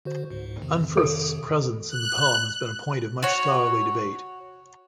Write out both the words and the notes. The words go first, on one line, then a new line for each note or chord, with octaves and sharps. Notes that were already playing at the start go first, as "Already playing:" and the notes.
Unferth's presence in the poem has been a point of much scholarly debate.
D3 F#4 C5
C#2 G#2
F2 C3 D#3
A4
F#6
F#4 C#5